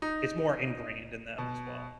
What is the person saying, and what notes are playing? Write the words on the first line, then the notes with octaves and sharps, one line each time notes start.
it's more ingrained in them as well.
D#4
B2